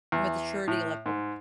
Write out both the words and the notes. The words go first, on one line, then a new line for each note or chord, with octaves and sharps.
Maturity level.
E2
A2
G#2